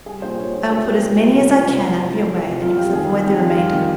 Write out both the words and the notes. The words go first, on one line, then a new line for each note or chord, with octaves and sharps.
I will put as many as I can out of your way, and you must avoid the remainder.
G3 G#4
A#1 C5
A#1 C#5
A#1 C5
A#1 G#4
G3
A#1 G4
G3
C2 A#4
F3
C2 C5
C2
C2
F3
F3
C2
F2 F4
F2 G4
D#3 G#4
G3 G4
F2 G4
F2 F4
G3 F4
D#3 G4